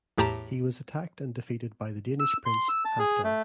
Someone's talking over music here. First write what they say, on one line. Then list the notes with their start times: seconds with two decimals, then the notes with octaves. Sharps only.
He was attacked and defeated by the Danish prince Halfdan.
0.18 E2 A2 G4 A5 A#5
2.20 E6
2.46 C6
2.69 E6
2.85 A5
2.99 G#4
3.24 A3